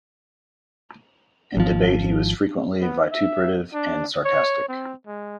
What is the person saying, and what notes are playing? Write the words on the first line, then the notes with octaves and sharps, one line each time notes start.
In debate he was frequently vituperative and sarcastic.
G#1 F3
B3
E5
D4
C#5
C4
G#3